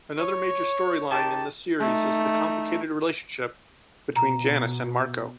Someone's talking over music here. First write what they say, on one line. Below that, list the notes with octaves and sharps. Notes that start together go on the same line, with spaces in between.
Another major storyline in this series is the complicated relationship between Janis and Marco.
C#5
D#3 G4 A5
A3 D#4
B2 A#5